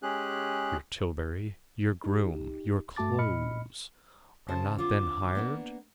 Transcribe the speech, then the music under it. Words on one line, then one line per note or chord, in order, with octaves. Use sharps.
Your tilbury, your groom, your clothes, are not then hired?
G#3 C#4 G4 G#4 F#6
D#4 G4
G2 A3 F#4 A5 D6 A6
A#2 D#5 B5 F6 C#7
C#3 C5 A5
D3 C4 F4 D6
A#3 B3 D4